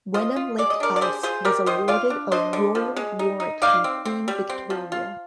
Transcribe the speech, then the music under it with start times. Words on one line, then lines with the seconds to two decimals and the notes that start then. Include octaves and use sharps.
Wenham-lake ice was awarded a royal warrant from Queen Victoria.
0.14 F4 C5 D#5
0.36 F4
0.58 G#3 D5
0.70 D#5
0.80 D4 A#4 D5
0.96 D5
1.01 G3 G#4 C5
1.23 F4 G#4 C5
1.45 G3 A#4 D5
1.66 D#3 C5 D#5
1.88 F4 D5 F5
2.10 D4
2.32 D4 C5 D#5
2.53 D3
2.75 F3
2.96 G#3
3.19 D#4
3.40 D#4
3.62 D#4 D5 F5
3.84 C4
4.05 C4
4.28 G3
4.50 C4
4.70 F3
4.92 F4